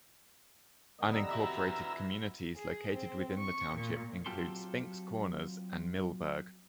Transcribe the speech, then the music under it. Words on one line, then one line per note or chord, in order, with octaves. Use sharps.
Unincorporated communities located within the township include Spinks Corners and Millburg.
D3 B3 D#5
C3 E3 A#5 E6
F#4 E5
B4 G#5
G#4
C4
C#6
A#2
F#3 C4 F4 G4 A4 C6